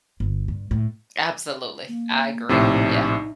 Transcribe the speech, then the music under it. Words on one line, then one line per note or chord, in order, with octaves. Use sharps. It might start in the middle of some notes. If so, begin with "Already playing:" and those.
Absolutely, I agree, yeah.
G1
G2
A2
A#3
A#1 A2 C3 D#4